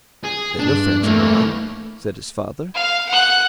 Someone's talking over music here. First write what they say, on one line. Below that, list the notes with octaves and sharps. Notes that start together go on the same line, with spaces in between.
"They're no friends of mine," said his father.
G#4
G2 D4
E3 A3 A#3
F5
F#5 F#6